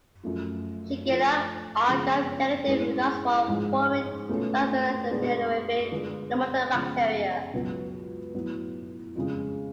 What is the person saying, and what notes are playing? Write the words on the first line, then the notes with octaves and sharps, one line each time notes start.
Shigellae are Gram-negative, nonspore-forming, facultatively anaerobic, nonmotile bacteria.
F#2 F3 A3 F4
F3 A3 F4
C#3 F3 G#3 B3
A2 G#3 C#4 G#4 B4
G#2 F3 G#3
B2 A3 C#4 F4
B2 G#3 D4 G#4 B4
D3 G#3 D4 F4 B4
C#3 F3 G#3 B3
C#2 B2 F#3 B3 F#4
A2 F#3 B3
F2 C#3 G#3